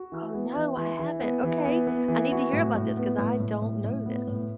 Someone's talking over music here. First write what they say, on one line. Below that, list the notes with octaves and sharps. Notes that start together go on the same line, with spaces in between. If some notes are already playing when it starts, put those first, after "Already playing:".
Oh, no, I haven't. Okay. I need to hear about this 'cause I don't know this.
Already playing: F#4
E3
B3
E3
E3
E3
B3
E3
B3
B3
E3
F#4
A2
A2
B3
A2
A2
A2
A2
B3
A2